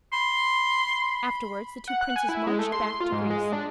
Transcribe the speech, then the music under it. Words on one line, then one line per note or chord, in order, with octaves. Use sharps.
Afterwards the two princes marched back to Greece.
B5 C6
F#5
F#6
G#5
E4
G#3
A3
C6
F4
G#2
G#3
D4